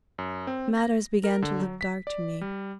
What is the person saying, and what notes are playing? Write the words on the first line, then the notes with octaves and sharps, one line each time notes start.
Matters began to look dark to me.
F#2
C4
A#6
A#4
D3
F#3
B6
D5
G3